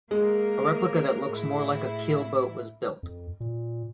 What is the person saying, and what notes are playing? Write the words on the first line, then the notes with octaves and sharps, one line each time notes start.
A replica that looks more like a keel boat was built.
G#3 A#3 A#4
A2 E4
F2
A#2